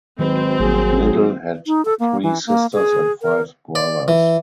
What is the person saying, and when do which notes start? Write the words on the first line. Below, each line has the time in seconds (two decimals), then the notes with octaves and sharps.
Little had three sisters and five brothers.
0.19 G#1 D#3 F#3 G#3 C4 B4
0.59 G#1 F#3 G3 A#3 G#4
1.67 D#4
1.85 A4
2.00 A#3
2.23 E3
2.47 A#3
2.73 G#4
3.22 A#4
3.75 D5
4.08 E3